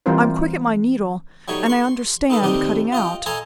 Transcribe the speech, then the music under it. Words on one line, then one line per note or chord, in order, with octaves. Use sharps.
I am quick at my needle, and I understand cutting out.
E3 G3 C4 F4 A#4 C5
F#3 G3 A3 D#4 C#5
C6 C#6
D#4 A4 B4 D#5
D#2 C3 G3 D#4 G4 D#5
F4 D#5 G5
A4 D#5 G#5 A#5 C6